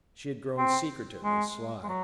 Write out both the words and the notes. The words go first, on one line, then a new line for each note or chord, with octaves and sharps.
She had grown secretive and sly.
C4
G#3
G#3
F#3